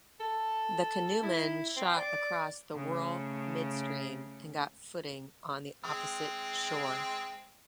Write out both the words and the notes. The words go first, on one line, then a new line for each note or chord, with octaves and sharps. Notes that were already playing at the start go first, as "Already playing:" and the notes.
The canoemen shot across the whirl midstream and got footing on the opposite shore.
A4
E4
C4
D5
C#3 A3
G#3 C4